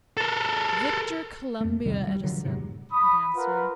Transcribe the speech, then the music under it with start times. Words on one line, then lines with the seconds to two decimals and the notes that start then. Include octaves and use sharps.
"Victor Columbia Edison," it answered.
0.17 A4 A#4
1.61 F2 A3
1.86 C2 C3 D#3 G3
2.07 G3
2.24 D3 F3 F#3
2.44 E1 G#2 C3 F#3
2.92 B5 D#6
3.36 F4 A#4 B4 F#5